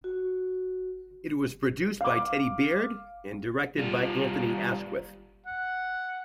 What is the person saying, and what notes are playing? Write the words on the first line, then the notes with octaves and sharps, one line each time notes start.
It was produced by Teddy Baird and directed by Anthony Asquith.
F#4
F5 D6
G3 F4
F#5